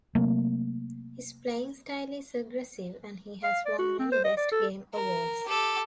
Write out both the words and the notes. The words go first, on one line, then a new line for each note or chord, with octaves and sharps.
His playing style is aggressive and he has won many "best game" awards.
C3 F#3 A3 A#3
F5
D5
F#4
C4
C5
D#5
D5
A4
A#4
G4 A4